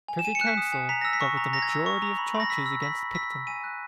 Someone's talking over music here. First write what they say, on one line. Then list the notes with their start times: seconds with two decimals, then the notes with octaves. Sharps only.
The Privy Council dealt with the majority of the charges against Picton.
0.08 G#5
0.19 E7
0.25 G#5 D#7
0.35 C#7
0.41 F#6
0.47 B6
0.57 D#6
0.72 G#5
0.89 A#5 B6
1.01 E6 A#6
1.13 B6
1.21 C#6
1.37 A#5
1.53 A#5 A#6
1.62 G#6
1.69 E6 A#6
1.86 C#6
2.02 A#5
2.18 B5
2.35 B5
2.40 A#6
2.50 E6 B6
2.66 E6
2.82 B5 B6
2.99 B5
3.15 E6 B6
3.31 E6
3.47 G#5 D#7
3.64 F#6